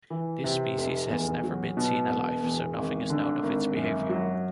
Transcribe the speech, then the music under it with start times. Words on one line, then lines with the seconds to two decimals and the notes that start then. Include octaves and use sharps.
This species has never been seen alive, so nothing is known of its behavior.
0.10 E3
0.44 C3
0.77 F1
1.10 E2
1.44 F#3
1.77 B2
2.10 E1
2.43 E2
2.76 G#1
3.10 D3
3.43 G#1
3.76 F#2
4.09 F#3